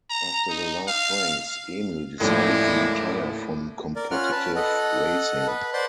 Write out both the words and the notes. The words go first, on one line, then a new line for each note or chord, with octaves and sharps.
After the last race Emil decided to retire from competitive racing.
A#5
D#4
F5
A1 D#2 A2 F3 G#3 E4 D5
A#4 D5
C#4 F4 F#5 F6
B4 A5
A4 D#5 F#5
B4
B4 C5 D5 F#5 C6